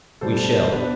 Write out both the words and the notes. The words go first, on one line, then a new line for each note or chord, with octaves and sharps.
We shall.
B2 G3 D4 A4 C5
D5
A4 C5
B2 B3 D4 B4